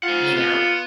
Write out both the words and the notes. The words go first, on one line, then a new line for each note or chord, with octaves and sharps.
You know?
F4 C5 F#5
B3